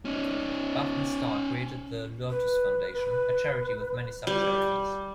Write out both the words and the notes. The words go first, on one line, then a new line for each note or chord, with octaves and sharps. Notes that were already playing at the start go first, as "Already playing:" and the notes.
Bach and Starr created The Lotus Foundation, a charity with many sub-charities.
C#4 D#4
B4
B4
G3